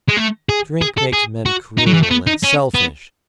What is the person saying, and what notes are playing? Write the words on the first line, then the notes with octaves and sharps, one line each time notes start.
Drink makes men cruel and selfish.
G#3
A3
G#4
G#4
A4
G#4
F#4
D#4
F#3
E3
A3
B3
D#4
C#4
B3